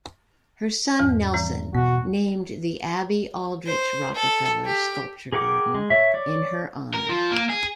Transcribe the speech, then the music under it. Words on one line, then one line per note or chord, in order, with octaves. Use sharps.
Her son Nelson named the "Abby Aldrich Rockefeller Sculpture Garden" in her honor.
E2 G#2 F3
E3 G3 C4
B2 B3 F#4
C5
A4
G4
G#4 A#4 F#5 G5 D6
G#3
C#5 E5
C#5 D5
A#4
F3
A#3
G#4